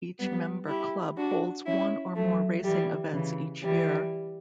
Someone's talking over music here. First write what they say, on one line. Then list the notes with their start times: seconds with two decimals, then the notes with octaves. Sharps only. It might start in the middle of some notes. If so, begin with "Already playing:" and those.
Each member club holds one or more racing events each year.
0.20 G3 B3
0.68 E4 G4
1.18 D4 F#4
1.67 C#4 E4
2.16 F#3 A3
2.65 E3 G3
3.13 C#3 E3
3.63 E3 G3